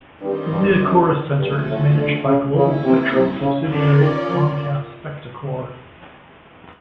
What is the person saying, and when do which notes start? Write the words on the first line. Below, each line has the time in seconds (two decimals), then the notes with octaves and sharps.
The Liacouras Center is managed by Global Spectrum, a subsidiary of Comcast-Spectacor.
0.22 G2 D#3 G3 C4
0.50 G2
0.80 F#2
1.38 G2 F3 A3 C#4 F#4 A4
1.68 A2
1.97 D3
2.26 C#3
2.54 C#3 A#3 C#4 E4
2.84 C3
3.13 C3
3.41 C#3
3.70 D3 C#4 F4 A#4 D5
4.00 D#3
4.28 F3